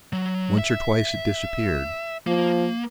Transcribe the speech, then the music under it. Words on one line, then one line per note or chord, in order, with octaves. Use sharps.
Once or twice it disappeared.
F#3
E5
F3 A#3